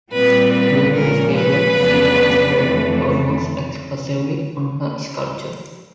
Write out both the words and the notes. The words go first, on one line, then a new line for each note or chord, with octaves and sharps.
During this period she concentrated almost exclusively on her sculpture.
A#2 G3 C4 B4
B4
A#2 F3 G#3 C#4 A#4
B4
F2 C#3 F#3 B3 D4
F2 C3 E3 A3